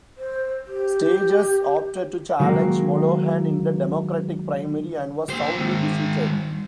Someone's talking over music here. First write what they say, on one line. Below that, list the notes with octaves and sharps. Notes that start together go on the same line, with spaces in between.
Staggers opted to challenge Mollohan in the Democratic primary, and was soundly defeated.
C5
G4
D#3 F#3 G#3 A#3
A#3 C5
D#3 G#3